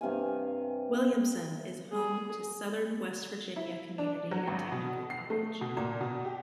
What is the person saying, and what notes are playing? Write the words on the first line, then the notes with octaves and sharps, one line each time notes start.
Williamson is home to Southern West Virginia Community and Technical College.
G2 C3 F5 G#5
G#4
E4
D4
F#3
G#1
B2
C7
A3
B2
A#2
B2
G4